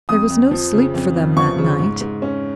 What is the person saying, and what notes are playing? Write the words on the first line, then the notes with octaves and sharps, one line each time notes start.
There was no sleep for them that night.
F2 D#6
F2
F3
C#3
F2
F2
F3 C#6
C#3
G#2
G#2
C#4